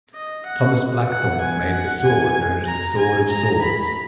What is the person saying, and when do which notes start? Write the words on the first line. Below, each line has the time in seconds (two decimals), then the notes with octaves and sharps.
Thomas Blackthorne made the sword known as "The Sword of Swords".
0.15 D#5
0.46 F#5
1.11 F#5
1.42 G#5
1.73 F#5
2.05 G#5
2.67 A#5
2.99 G#5
3.30 A#5
3.62 B5